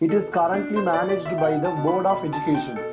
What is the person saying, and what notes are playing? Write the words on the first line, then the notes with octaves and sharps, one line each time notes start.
It is currently managed by the Board of Education.
B2 A4
F#4
B2
D4
B2 C5
D5
B2 D5
E5
G5
B2 F#5
A5
B2
B5
B2 B5
A5
B2
G5
B2 A4